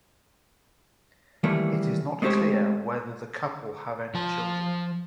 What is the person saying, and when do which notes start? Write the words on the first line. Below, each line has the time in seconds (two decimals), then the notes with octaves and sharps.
It is not clear whether the couple have any children.
1.44 D#3 E3 G3 A3 A#3
2.22 G#3 A3 C4 G4 C5 C#5
4.14 F3 A5